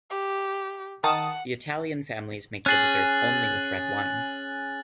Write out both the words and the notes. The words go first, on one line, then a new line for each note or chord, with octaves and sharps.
The Italian families make the dessert only with red wine.
G4
D#3 F#5 A5 D#6
C#4 G#4 F#6 A6 F#7